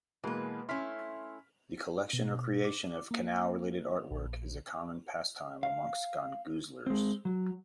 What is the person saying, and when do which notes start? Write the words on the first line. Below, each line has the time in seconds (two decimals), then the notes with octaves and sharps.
The collection or creation of canal related artwork is a common pastime amongst gongoozlers.
0.24 B2 E3 G#3 A#3 B4
0.69 A3 C#4 E4 C6 F6 B6
2.13 B2
2.65 D6
3.11 A#3
4.11 A#1
5.63 F5
6.86 G#3 C4
7.25 F#3